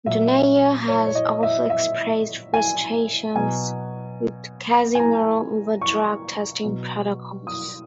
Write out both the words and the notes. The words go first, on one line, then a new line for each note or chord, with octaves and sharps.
Donaire has also expressed frustrations with Casimero over drug testing protocols.
A#2 F#3 E5
C#5
C#5
D#5
E5
E5
G#5
B2 F#3 G#5
G#5
A#5
C#6
B2 F#3
D#6